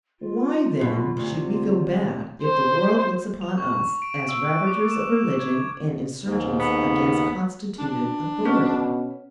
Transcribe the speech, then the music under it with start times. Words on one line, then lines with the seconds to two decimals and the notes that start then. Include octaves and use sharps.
Why, then, should we feel bad if the world looks upon us as ravagers of religion and insurgents against constituted authority?
0.20 F4
0.79 F#2 B2
1.17 D2 C3
1.87 G#3
2.43 C5
3.41 F7
3.58 C#6
3.72 C#6
4.02 D7
4.29 E6
4.45 F#6
4.67 D6
4.91 E7
5.40 G#6
6.23 D#2 G#2
6.59 B3
7.79 D4
8.45 B2 C#4